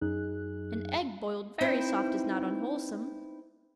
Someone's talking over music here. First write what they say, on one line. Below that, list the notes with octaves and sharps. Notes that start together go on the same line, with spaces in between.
An egg boiled very soft is not unwholesome.
F#2 F#3 D#4 G#4 F#6
C4 D#4 E4 B4 C5